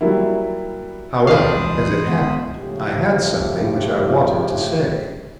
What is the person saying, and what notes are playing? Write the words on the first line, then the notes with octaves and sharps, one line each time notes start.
However, as it happened, I had something which I wanted to say.
F#3 G3 A#3 E4
D#1 E3 C4 D4 C5 F5 B5 D#6
C2 F#2 E3 G#3
G#3 B3
A2 C#3 F3 G4